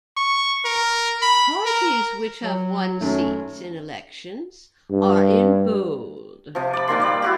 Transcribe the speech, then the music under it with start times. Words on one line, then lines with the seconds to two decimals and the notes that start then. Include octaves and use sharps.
Parties which have won seats in elections are in bold.
0.17 C#6
0.65 A#4
1.22 B5
1.66 A#4
2.43 F#3
3.01 F#2 D#3 A3 C#4
4.91 G2
6.55 C3 F3
6.73 D5 B5
6.88 A#2 D#3 A#3 C6
7.00 G3 D5 B5
7.22 E4 F#4 G4